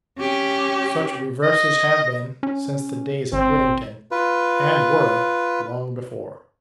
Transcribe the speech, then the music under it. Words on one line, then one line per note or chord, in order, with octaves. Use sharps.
Such reverses have been, since the days of Whittington; and were, long before.
C#4 G4
D#5
C#4
G#1 C4
F4 B4